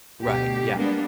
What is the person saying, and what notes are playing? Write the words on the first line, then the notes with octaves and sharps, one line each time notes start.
Right, yeah.
D2 B2 G4
G3 G#3 A#3 B3 D4